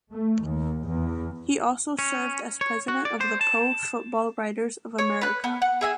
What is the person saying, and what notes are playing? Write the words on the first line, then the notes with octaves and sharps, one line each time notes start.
He also served as President of the Pro Football Writers of America.
A3
D#2
E2
C#4
C#5
F#4
D5
C5
A5
C#5
B4 F#6
B3
F#5
G#4 E5 G#5